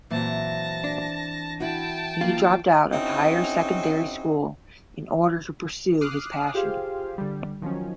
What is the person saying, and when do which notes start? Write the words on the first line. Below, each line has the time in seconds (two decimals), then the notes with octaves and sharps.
He dropped out of higher secondary school in order to pursue his passion.
0.11 A#2 E3 F#3 C4 A5 A#6
0.84 D4
1.60 E4 F#4 G5 A5
2.21 D#3 A#3 F4
2.92 C4 C#4 D#4 E4 F#4 G#4
6.01 D6 D#6 F6 F#6 C7
6.54 F4 G4 G#4 C5 F5
7.18 D3 G3
7.62 D#3 F3 F#3 C#4